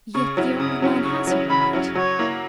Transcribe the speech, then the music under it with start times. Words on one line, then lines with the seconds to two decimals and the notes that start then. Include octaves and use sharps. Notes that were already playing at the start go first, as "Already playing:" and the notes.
Yet the old man has a right.
0.14 C#3 C#6
0.37 F#3 C#4 E4
0.60 C#3 D#6
0.82 F#3 C#4 E4
1.05 C#3 C#6
1.27 F#3 C#4 E4
1.50 C#3 B5
1.73 F#3 C#4 E4
1.95 F#3 C#5
2.19 A#3 E4